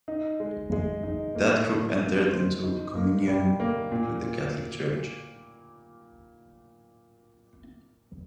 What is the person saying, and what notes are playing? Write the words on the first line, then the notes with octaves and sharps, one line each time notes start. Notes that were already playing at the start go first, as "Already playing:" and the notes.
That group entered into communion with the Catholic Church.
D#4
G#3
G#3
D#4
A#3
A#3
A#3
C5
D#4
A#3
G3
A#3
A#2
A#2